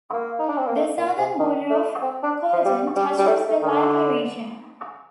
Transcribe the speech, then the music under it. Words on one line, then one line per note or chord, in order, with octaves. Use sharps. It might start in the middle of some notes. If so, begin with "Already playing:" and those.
The southern border of Kordun touches the Lika region.
A#3
D#4
D4
C4
A#3
A3
A#2
C3
D#3
A3
C4
D4
F3
G3
G3
G3
A3
A3
D#3
D3